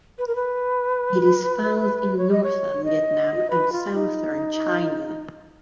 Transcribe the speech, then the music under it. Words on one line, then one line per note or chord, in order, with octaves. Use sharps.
It is found in northern Vietnam and southern China.
B4
A#4
B4
C#5
D#5
C#5
D#5
B4
F4
D#4